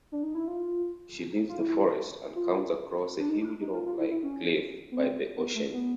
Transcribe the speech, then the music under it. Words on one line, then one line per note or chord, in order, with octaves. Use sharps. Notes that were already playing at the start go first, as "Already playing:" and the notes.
She leaves the forest and comes across a huge rock-like cliff by the ocean.
D4
D#4
E4
F4
F4
E4
F4
D4
D#4
D#4
F4
F4
E4
E4
C#4
B3
C4
B3
A3
B3